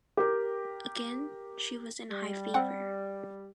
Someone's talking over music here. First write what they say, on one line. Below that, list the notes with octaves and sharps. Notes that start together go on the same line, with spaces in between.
Again she was in high favour.
G4 A#4
G3
C4 F#5